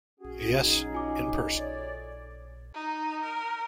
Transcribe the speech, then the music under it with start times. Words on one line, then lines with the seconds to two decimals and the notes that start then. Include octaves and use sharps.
Yes, in person.
0.20 C#4 F#4 G#4
0.59 F#3 D#4
0.93 F4 G#5 D6
1.56 A4 C#5 D5
2.75 D#4
3.24 A#4